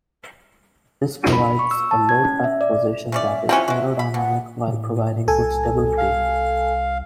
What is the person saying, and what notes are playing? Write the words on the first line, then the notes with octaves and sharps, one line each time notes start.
This provides a low tucked position that is aerodynamic while providing good stability.
B5
C#6
E6
A5
G#6
C#4
E5
D5
C#3 C#4 D5 E5
F3 C4 C#4 E4 F#4
G#3 F#4
B5
B2 F#5
A2
C2 A4 G#5
F5